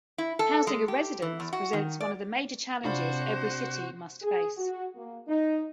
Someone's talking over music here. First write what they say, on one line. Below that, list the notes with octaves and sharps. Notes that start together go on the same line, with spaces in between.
Housing of residents presents one of the major challenges every city must face.
E4
A4
G#3
G4
E3
E2
F#4
D#3
D5
C3 D4 F4 F#4 C5 B5
G#4
F#4
A#3
D#4